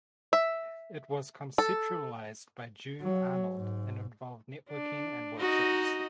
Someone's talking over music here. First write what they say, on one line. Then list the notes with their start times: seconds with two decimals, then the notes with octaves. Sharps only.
It was conceptualized by June Arnold and involved networking and workshops.
0.33 E5
1.58 A4
3.01 F#3
3.55 G#2
4.70 D4
5.39 D#4 F#4 D#5